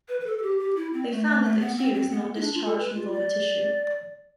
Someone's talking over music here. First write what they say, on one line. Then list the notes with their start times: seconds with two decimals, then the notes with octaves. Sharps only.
They found that the cue is not discharged from vulva tissue.
0.09 B4
0.20 B4
0.27 A4
0.38 A4
0.42 G4
0.59 G4
0.76 E4
0.93 C4
1.10 A3
1.27 A3
1.44 A3
1.60 B3
1.78 C4
1.94 C4
2.11 B3
2.35 E4
2.41 D4
2.54 F4
2.65 A4
2.79 B4
2.95 F4
3.12 D5